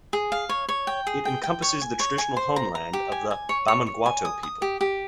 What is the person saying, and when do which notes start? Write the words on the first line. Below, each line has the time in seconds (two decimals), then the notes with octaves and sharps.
It encompasses the traditional homeland of the Bamangwato people.
0.13 G#4
0.32 F5
0.49 C#5
0.69 C#5
0.87 G5
1.07 G#4
1.25 G5
1.43 G5
1.62 C#5
1.81 G#5
2.00 C#5
2.18 G#5
2.37 C5
2.56 A#5
2.75 A#5
2.93 G4
3.12 G#5
3.31 G#5
3.49 C#5
3.68 C#5
3.86 C#5
4.06 G#5
4.25 D#6
4.43 D#6
4.62 G4
4.81 G4